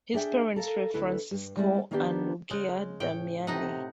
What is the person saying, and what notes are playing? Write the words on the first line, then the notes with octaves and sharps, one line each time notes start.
His parents were Francesco and Luigia Damiani.
D4 G#4 E5 G5
A4 A#4 F5
D2 E4 A4 B4
G2
G3 G#3 C4 E4 D5
D#3 A#3 B3 D4 F#4 G4
C#3 G#3
A2 C#5 G5
A2 C3 D#4 D#5 F#5